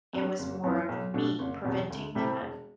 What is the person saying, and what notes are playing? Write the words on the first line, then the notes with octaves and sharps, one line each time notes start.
it was more of me preventing that
G2 F#3
F#1
F#2 E3 B3 E4
B1
B2 A3 D4
F#1
E2 B2
D2
C3 G3 C4 E4
E1